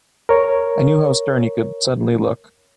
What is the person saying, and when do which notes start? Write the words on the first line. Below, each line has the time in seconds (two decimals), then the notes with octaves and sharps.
I knew how stern he could suddenly look.
0.29 A#4 C#5